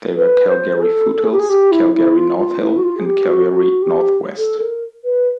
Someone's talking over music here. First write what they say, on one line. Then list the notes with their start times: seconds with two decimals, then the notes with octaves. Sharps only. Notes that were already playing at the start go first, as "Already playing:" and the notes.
They were Calgary-Foothills, Calgary-North Hill and Calgary-North West.
0.16 B4
0.50 C5
0.78 G#4
0.82 A4
1.16 A4
1.23 G#4
1.32 G4
1.39 G#4
1.49 G4
1.71 E4
1.94 E4
2.16 F4
2.38 F4
2.61 E4
2.77 F#4
2.83 F4
2.97 G#4
3.05 G4
3.27 F#4
3.50 F#4
3.82 G4
4.37 A4
4.60 A#4
5.04 B4